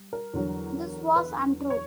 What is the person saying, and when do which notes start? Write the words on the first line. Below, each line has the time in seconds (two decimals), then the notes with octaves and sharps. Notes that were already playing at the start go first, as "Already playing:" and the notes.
This was untrue.
Already playing: G3
0.13 A#4
0.34 E2 D3 F#3
1.16 B4
1.70 C#5